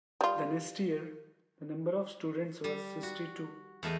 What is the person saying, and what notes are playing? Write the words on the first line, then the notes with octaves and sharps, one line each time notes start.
The next year, the number of students was sixty-two.
G3 F4
G3
F#4
E2 A3 D#5 G5